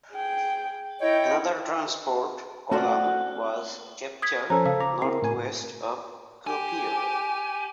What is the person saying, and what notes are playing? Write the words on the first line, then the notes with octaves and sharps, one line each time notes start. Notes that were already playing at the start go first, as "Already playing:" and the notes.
Another transport column was captured northwest of Kuopio.
G#4 G5
E4 C#5 D#5 G5
A3 C4 C#4 F#4 A4 D5 F#5
D#6 G#6 B6
F3 C#4 A4 C5 A#5
C#3 A4 F5
A#5 D6
C4 E4 A#4 C7
A2 G#5
G4 G#5